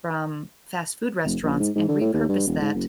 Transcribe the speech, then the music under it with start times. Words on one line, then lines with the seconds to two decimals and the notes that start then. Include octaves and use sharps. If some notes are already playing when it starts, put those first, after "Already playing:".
from fast food restaurants and repurpose that
1.25 F1
1.43 A#1
1.60 G#2
1.75 G#2
1.88 D3
2.01 A2
2.13 D#2
2.29 G2
2.47 E1
2.61 G#2
2.74 F#1